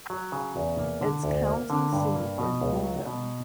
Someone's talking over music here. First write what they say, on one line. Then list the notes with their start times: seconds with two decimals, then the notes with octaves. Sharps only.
Its county seat is Windom.
0.10 F#3
0.32 C#3
0.56 E2
0.79 A#3
1.01 D3
1.24 D2
1.47 A#3
1.70 D3
1.93 G2
2.16 A#3
2.38 B2
2.61 C#2
2.84 F#3
3.06 B2